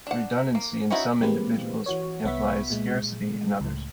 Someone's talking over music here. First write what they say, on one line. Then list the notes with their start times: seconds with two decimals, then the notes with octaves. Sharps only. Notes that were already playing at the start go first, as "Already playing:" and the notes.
Redundancy in some individuals implies scarcity in others.
0.07 D4 F#5
0.55 A#3
0.90 C#4 D#4 E4 F#4
1.21 E3 G#3 A#3 C4 G4 B4
1.86 E3 F#4 C#5
2.25 C2 B3 B4 E5 C#6 B6
2.70 A#2 G#3
3.61 C#2 A2